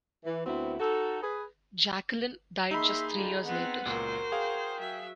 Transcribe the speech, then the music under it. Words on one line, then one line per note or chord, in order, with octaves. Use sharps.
Jacqueline died just three years later.
E3
D2 B3 C4 E4 F#4
D#4 F#4 A4
G#4 B4
A#3 D#4 G#4 E5 B5 C6
D3 G3 F4
B3 C4 F#5
C#2 A#2 F#4 A#4 C5
G#4 F5 G5
F#3 E5